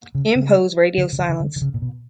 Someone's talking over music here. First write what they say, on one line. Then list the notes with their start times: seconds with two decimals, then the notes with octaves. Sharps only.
Impose radio silence.
0.15 C#3
0.35 C#3
0.98 D3
1.13 C#3
1.19 D3
1.29 D3
1.40 D3
1.56 D3
1.61 C#3
1.74 A#2
1.82 B2